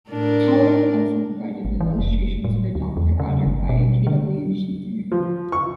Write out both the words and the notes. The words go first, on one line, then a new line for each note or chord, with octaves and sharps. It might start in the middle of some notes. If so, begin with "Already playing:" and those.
Howarth also provided the illustrations for "Doctor Adder" by K. W. Jeter.
A2 D4 A#4
G#1
E3
F1
A2
D2
E2
C#3
G1
B2
D3
F3
C#6